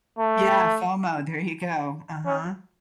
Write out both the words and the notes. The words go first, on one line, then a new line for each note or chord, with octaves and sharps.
Yeah, FOMO, there you go, uh-huh.
A3
C#4